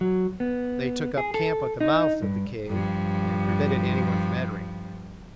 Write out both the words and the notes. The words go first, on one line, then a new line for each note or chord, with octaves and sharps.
They took up camp at the mouth of the cave and prevented everyone from entering.
F#3
B3
G#4
A4
D#4
G2
G2 F3